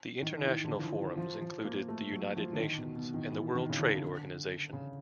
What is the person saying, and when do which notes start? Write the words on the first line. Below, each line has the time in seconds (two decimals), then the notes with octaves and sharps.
The international forums included the United Nations and the World Trade Organisation.
0.22 D#3
0.40 E3
0.47 D#3
0.65 D3
0.78 F3
0.82 E3
1.00 F3
1.17 F3
1.41 F3
1.65 A#3
1.89 A3
2.12 F#3
2.37 F3
2.53 D3
2.60 D#3
2.78 B2
2.96 B2
3.14 D#3
3.32 E3
3.55 D#3
3.70 C#3
3.79 D3
4.73 C#3